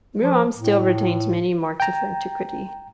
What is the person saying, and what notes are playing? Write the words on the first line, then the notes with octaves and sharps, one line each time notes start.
Murom still retains many marks of antiquity.
F3
A2
G5 A#5